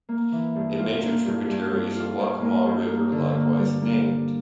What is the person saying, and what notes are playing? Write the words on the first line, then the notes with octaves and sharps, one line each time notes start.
A major tributary is the Waccamaw River likewise named.
A#3
E3
G2
F4
A#3
G2
G2
G2
F4
G2
A#3
G2
A#3
D3
A#3
G3
A#3
G3